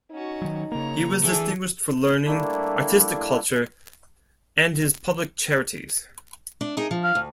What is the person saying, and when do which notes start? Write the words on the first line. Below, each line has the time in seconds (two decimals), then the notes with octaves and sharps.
He was distinguished for learning, artistic culture and his public charities.
0.11 C#4 D#4 F#4
0.42 D#3 F#3
0.72 C#3 A#3 C#5 A#5
1.24 E3 A3 D4 G#4
2.24 G3 A3 A#3 D4 E4
6.61 D4
6.77 D#4 G#4 A#4
6.91 F3
7.04 F5
7.15 D2